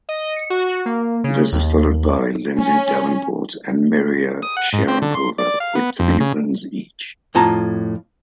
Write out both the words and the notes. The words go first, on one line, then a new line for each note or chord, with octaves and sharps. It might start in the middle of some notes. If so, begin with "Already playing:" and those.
This is followed by Lindsay Davenport and Maria Sharapova with three wins each.
D#5
C#7
F#4
A#3
C#3
D#2
C#4
D#6
F#5
G#2
C4
D3
C6
D5
F5
B3
F2
C#3
F2 A2 F4 A5 A#5